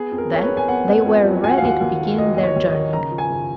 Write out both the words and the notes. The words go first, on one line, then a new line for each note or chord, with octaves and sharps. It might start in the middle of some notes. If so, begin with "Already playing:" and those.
Then they were ready to begin their journeying.
Already playing: B3 G#4
F2
A#4
F2 C#5
B4
F3
G#5
B3 F#5
F2
F2
F3
F#3 G#5
F#5
F5
D#2 F#5
D#2
D#3
F#3 D#5
D#2 D#5
C#5
D#2
D#5
D#3
C#3 A#5
F3
G#5
F#1